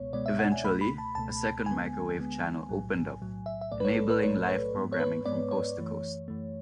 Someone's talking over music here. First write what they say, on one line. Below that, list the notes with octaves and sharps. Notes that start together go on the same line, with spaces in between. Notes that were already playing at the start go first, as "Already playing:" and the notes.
Eventually, a second microwave channel opened up, enabling live programming from coast to coast.
Already playing: C#2 B2 G#3 B3 C#5
C#2 B2 G#3 B3 D5
E5
F#5
G#5
C#2 B2 A3 B5
B5
A5
C#2 B2 A3 A5
D2 D3 G#3 B3 G#5
D2 D3 G#3 B3
B1 A2 F#3
B1 A2 F#3
E5
E5
B1 A2 F#3 A3 D5
B4
C#5
A4
B4
B1 A2 F#3 A3 C#5
C#5
G#2 G#3 B3
C#5
B4
G#2 G#3 B3 D5
C#5
F#2 E3 A3
F#2 E3 A3